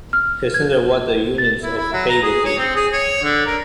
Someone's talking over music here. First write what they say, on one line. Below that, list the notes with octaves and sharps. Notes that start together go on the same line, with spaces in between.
Consider what the units of "k" would be.
F6
G#6
A6
E4
E4
F#3
A#5
G#4
C#5
C4
G#4
C#5
D3
A#4